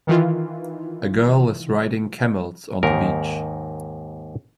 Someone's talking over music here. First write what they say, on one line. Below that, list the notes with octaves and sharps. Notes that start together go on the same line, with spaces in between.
A girl is riding camels on the beach.
D#3 E3 F4
D#2 G#2 A#4